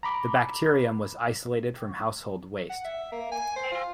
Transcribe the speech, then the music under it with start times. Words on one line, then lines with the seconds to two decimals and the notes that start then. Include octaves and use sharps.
The bacterium was isolated from household waste.
0.03 A#5 B5 D6
2.70 F#5
2.85 E5
3.12 A#3
3.32 G#5
3.56 C5
3.72 F4